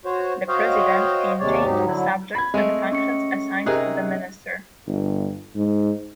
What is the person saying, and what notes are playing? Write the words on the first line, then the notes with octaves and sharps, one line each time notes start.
The President can change the subjects and functions assigned to the Minister.
F#4 C5 C#5
F#4 C5 C#5 D#5 F5 G5
D#2 C3 G#3 C#5 D5
G#2 F#3 D#4 G4
D3 F#3 E4
B5 G#6
G#3 A3 C4 D#5
C#4 C#6 C#7
C3 D#4 G#4 A#4 F#6
G1
G#2